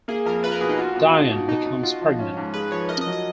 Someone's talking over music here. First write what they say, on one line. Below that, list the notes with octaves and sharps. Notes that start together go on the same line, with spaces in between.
Diane becomes pregnant.
A#3 G#4
F2 A#4
F4 B4
A#4
B2 G#4
D#4
F4 F#4
B2
D#4
B2
B2 D#4
B2
F4 F#4
F3
C#4
G#2
G#4 B4
F3 C#5
A#4 D#5
D#5
F#3
D#5